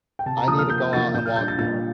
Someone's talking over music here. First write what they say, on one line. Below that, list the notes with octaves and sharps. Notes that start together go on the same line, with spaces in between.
I need to go out and walk more.
G5
C3 A5
A#5
F3 A#3 D#6
F6
C3 G6
F3 A#3 A6
A#2 G6
F6
G3 D4 G6
A6
A#2 A6